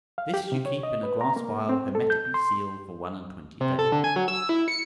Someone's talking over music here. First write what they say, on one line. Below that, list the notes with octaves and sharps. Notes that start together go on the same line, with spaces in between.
This you keep in a glass vial hermetically sealed for one-and-twenty days.
F5
G4
C3
C#5
D#5
B4
A#5
A#3
C4
A4
G6
C6
C3
A4
D3
G#5
F#3
E6
E4
C#7